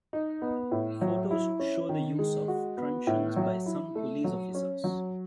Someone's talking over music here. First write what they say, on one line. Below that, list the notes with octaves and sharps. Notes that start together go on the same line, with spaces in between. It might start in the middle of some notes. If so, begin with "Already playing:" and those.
Photos show the use of truncheons by some police officers.
D#4
B3
A2
F#3
E4
C#4
D#3
G#3
F#4
B3
A2
F#3
E4
A3
F#3
C#4
F#3